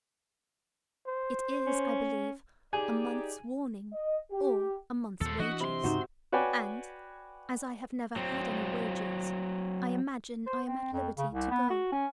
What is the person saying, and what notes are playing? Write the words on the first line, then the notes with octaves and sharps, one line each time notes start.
It is, I believe, a month's warning or a month's wages; and, as I have never had any wages, I imagine I am at liberty to go.
C5
C#4
D#4 G4 G#4 D5 G#5
D#5
G4
D#2 A#2 A4 C5
E3 D4 F#4 D#5 E5
C3 B5 C6
D2 G#2 C#3 D#4 F#4 C5
F#4 B4 C#5 D5 G5 G#5
F#3 C4
C5
C4
F2
C#3
C2
B3
F#4
C#4